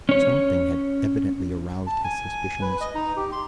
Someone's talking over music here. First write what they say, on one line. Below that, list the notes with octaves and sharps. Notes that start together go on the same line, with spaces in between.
Something had evidently aroused his suspicions.
C#4 C#5
A5
G#5
B4
D#5
D#4
G4
C6